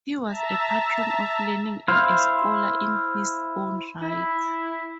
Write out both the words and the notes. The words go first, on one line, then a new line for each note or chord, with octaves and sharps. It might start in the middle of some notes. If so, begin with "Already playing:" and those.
He was a patron of learning and a scholar in his own right.
E5 A5 A#5
E4 C5 F5
E4